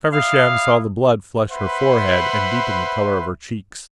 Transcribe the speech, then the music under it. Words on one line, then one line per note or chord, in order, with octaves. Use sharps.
Feversham saw the blood flush her forehead and deepen the colour of her cheeks.
G3 E4 F5 D#6
B4 C5 E5 F#5 B5 C6